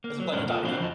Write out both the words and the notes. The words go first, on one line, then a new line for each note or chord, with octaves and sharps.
It's a pleasure talking to you
A#3
F#3
A2 G3 G#3 A#3 C#4 D4
A#2 A#3 F4 A4 A5
F3 F#3 D4 F#4 C5 F5
E2 F3 D#5 A5